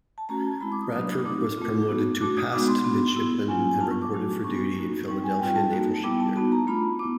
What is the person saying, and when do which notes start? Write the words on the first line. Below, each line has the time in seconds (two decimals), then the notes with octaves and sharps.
Radford was promoted to passed midshipman and reported for duty in Philadelphia Naval Shipyard.
0.18 A5
0.29 A3 C#4 F#4 A#5
0.45 A5
0.61 G#3 C4 E4 B5
0.72 D6
0.82 D#6
0.93 F#3 A#3 D4 D#6
1.09 D#6
1.25 A3 C4 D#4 D6
1.41 D6
1.57 A3 C4 F4
1.89 B3 D#4 F#4
2.21 A3 D4 F#4 D6
2.37 D#6
2.52 G#3 B3 D#4 F#4 D6
2.68 C6
2.84 B3 D4 F#4
3.16 B3 E4
3.48 F#3 A#3 C#4 F4 G#5
3.64 G#5
3.80 B3 D4 F4 A5
3.91 C#6
4.02 D6
4.12 F#3 A3 D4 F#4
4.44 B3 D4 F#4 C#6
4.76 A#3 D#4 F#4
5.08 G3 C4 D#4 C#6
5.24 G#5
5.40 G3 C4 F4 G5
5.56 A5
5.72 A#3 D#4 F#4
6.04 G3 B3 E4 D6
6.20 A5
6.36 B3 D#4 F#4 A5
6.52 A#5
6.67 A3 D4 F4 B5
6.99 B3 E4 D6